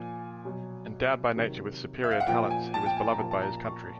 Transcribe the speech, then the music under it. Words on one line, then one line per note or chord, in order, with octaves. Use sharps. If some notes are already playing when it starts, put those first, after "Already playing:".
Endowed by nature with superior talents, he was beloved by his country.
Already playing: A#2 F3 G#5
B2 F#3
C3 D#3 F#3
E5
F5
F#5
A#2 F3 G5
G#5
A5
G5
G#5
A#5
A#2 F3 A5
A5
A#5
C#6